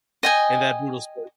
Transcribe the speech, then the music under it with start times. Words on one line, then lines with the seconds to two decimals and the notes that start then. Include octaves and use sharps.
in that brutal sport
0.23 D#5 G5 G#5